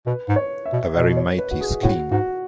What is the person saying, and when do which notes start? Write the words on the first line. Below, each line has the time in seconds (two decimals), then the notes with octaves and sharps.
A very matey scheme.
0.07 B2 B4
0.29 G#2
0.36 C#5
0.65 E5
0.73 B2
0.95 B2 D#5
1.17 C#5
1.38 B4
1.51 F#4
1.61 G#4
1.83 A2 F#4
2.11 G#2 F#4